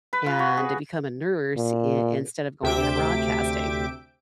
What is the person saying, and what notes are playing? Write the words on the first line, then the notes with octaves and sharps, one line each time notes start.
and to become a nurse i instead of going into broadcasting,
B4
F4
F#4
G#4
A#2
D2 C3 E5 G5 D6 D7